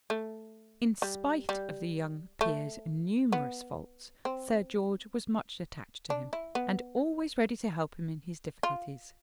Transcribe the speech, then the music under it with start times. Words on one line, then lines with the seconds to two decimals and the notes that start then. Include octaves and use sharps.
In spite of the young peer's numerous faults Sir George was much attached to him, and always ready to help him in his difficulties.
0.10 A3
1.02 G3
1.49 G3
2.41 A3
3.32 B3
4.25 C4
6.10 D4
6.33 E4
6.55 B3
8.63 F4